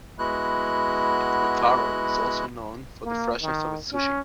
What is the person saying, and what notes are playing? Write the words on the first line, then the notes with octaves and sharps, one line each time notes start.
Otaru is also known for the freshness of its sushi.
G#3 B3 E4 F#4 F#6
A#3
D#3
C#4